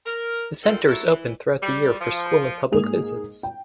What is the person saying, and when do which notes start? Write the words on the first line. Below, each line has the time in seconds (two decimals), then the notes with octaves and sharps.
The centre is open throughout the year for school and public visits.
0.05 A#4
0.63 A#2 D#3 G#3 C4 F4 A4
0.87 F#3 A3 E4 A4
1.07 E3
1.62 G3
2.01 F3
2.72 G#2 A#3 G#4 F7
3.43 G5